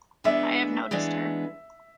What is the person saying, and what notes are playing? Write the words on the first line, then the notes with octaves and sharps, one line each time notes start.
I have noticed her.
E3 G#3 B3 D4 E5
E3 G#3 B3 D4